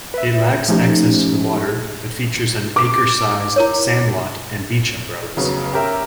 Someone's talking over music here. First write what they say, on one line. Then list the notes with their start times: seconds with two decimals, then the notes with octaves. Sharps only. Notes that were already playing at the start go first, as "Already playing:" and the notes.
It lacks access to the water, but features an acre-sized sandlot and beach umbrellas.
0.14 B4 E5
0.68 F3 A3 C#4 D#4 G4
2.76 D6
3.56 E4 A#4 C#5
5.37 F1 C#3 F#3 B3
5.72 C#4 G4 A#4 E5